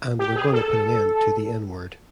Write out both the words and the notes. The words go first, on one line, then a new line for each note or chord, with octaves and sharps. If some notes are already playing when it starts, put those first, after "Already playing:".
And we're gonna put an end to the n-word.
G4
G#4
A4
A4